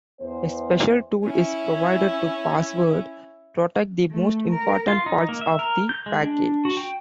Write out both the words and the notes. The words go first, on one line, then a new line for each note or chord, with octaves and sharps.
A special tool is provided to password-protect the most important parts of the package.
E2 B3 C5
C#4 E4
A3
A#4
F4
D#4
A#3
E5
A#4
G6
G#3
D4
F#4
G5